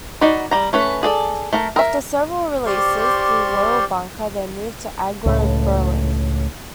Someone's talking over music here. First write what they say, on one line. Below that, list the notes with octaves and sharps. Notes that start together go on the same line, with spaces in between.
After several releases through Royal Bunker, they moved to Aggro Berlin.
D#4 F#4 D5 B5
G3 A#5
A3 C#4 B4
G#4 A4 D5
A3 A#4
A#4 E5
G4 C5 D5 C6 C#6 F6
C#2 A2